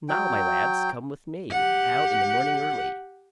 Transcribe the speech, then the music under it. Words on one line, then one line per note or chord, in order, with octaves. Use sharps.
"Now, my lads, come with me, Out in the morning early!"
F#3 G5
G4 F#5